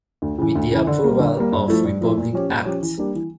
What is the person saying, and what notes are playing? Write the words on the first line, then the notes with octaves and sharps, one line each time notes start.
With the approval of Republic Act.
D2
C#3 E3
D2
C#3 E3
D3
G3 A#3
D3
G3 A#3
G2
F3 A3 E4
G2
F3 A3 E4
A#2
F3 C#4 G4
A#2
F3 C#4 G4
E3
G3 A#3 D4 G4
E3